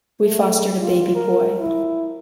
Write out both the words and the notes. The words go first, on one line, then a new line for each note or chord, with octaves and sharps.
We fostered a baby boy.
A3
F4
A#4
E4